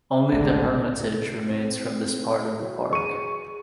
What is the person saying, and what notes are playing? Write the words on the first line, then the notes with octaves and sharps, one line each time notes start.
Only the Hermitage remains from this part of the park.
G#1 C#2 A2 D3
C4
F#3
G#4 C#6 D#7